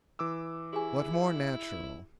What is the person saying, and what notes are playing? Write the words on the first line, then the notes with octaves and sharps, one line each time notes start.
What more natural!
E3 D6 E6
E4 G4 G#4 G#5